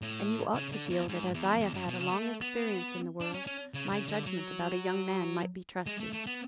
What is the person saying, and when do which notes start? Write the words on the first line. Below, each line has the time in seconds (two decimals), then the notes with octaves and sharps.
"And you ought to feel that, as I have had a long experience in the world, my judgment about a young man might be trusted."
0.02 A2
0.54 C#3
0.72 D3
0.90 E2
1.08 G#2
1.34 E2
1.61 E2
1.74 F#2
1.88 B2
2.00 C#3
2.09 B3
2.14 A3
2.41 B3
3.21 D4
3.34 C#4
3.47 C#4
3.74 C#3
3.92 C#3
4.09 D3
4.26 F#3
5.86 G#3
6.00 A3
6.13 A3
6.26 B3